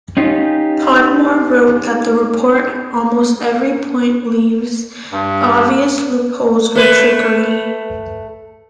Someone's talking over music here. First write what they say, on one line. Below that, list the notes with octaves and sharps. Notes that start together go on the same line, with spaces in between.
Podmore wrote that the report at almost every point leaves obvious loopholes for trickery.
C#4 D#4 F4 G4
G2
A3 B4